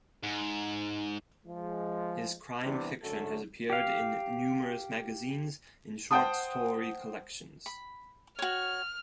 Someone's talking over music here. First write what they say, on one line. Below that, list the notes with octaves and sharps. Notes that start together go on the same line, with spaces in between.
His crime fiction has appeared in numerous magazines and short-story collections.
G#2
F3 G#3
C3 E3 G3 B3 D4
F#2 D3 A3 F#4 A4
G4 F5
C5 F#5 G5 A5 D#6
B5
F#4 C#5 F6